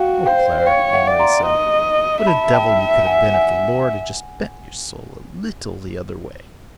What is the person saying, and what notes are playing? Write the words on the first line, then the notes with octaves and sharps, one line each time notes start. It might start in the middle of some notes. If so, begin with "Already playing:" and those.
"Oh, Clara!" Amory said; "what a devil you could have been if the Lord had just bent your soul a little the other way!"
Already playing: F#4 F5 G5
C5 F5 G5
C#5 F5 G5
E5 F#5
D5
A#5 C6
D#5
E5 A5 B5
G5 A5
F#5 G#5
F#5 G#5